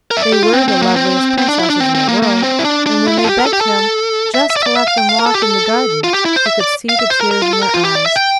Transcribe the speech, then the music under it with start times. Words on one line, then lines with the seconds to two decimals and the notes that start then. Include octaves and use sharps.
They were the loveliest princesses in the world, and when they begged him just to let them walk in the garden he could see the tears in their eyes.
0.11 A#4
0.17 E5
0.22 D5
0.32 G4
0.43 F4
0.53 C4
0.68 C4
0.82 A#3
0.96 C4
1.38 C4
1.48 D4
1.59 E4
1.70 D4
1.80 C4
1.95 C4
2.08 A#3
2.22 A#3
2.43 C4
2.59 E4
2.65 D4
2.86 D4
3.08 E4
3.19 F4
3.24 A4
3.29 G4
3.40 A#4
3.46 A4
3.53 G4
3.61 A4
4.34 E5
4.50 E5
4.56 D5
4.63 E5
4.66 D5
4.76 E5
4.88 F5
4.98 G5
5.09 F5
5.19 A#4
5.26 A4
5.34 G4
5.42 A4
6.04 F4
6.14 G4
6.25 E4
6.36 C5
6.46 E5
6.61 D5
6.89 F5
6.99 E5
7.10 C5
7.21 A#4
7.31 A#4
7.42 F4
7.53 A4
7.63 A#4
7.74 F4
7.85 G4
7.95 D5
8.06 E5
8.16 G5